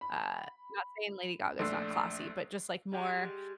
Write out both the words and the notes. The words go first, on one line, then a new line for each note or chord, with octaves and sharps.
Uh not saying Lady Gaga's not classy, but just, like, more,
B5
A#1 A3 D4 C6 E6 C7
G3 G#3 G4